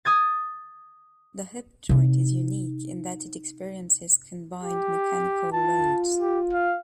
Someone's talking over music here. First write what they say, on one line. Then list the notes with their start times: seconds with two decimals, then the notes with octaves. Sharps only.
The hip joint is unique in that it experiences combined mechanical loads.
0.05 D#6 G#6 A6
1.89 C3 D#4
4.63 G4
5.53 F4 A5
6.20 G4
6.52 F5